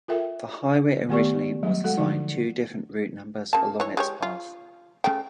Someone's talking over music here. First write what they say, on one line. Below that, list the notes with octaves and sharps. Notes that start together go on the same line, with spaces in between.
The highway originally was assigned two different route numbers along its path.
F4 A4 A#4 E5 G5
D#3 A3 B3 G4 D5 C#6
F#3 G3 A3
G#3 F#4 A4 F#5
D3 F3 D#4
C#3 A#3 A5
E3 C#5
G#3 G4 C#5
F4
C#3 A3 G5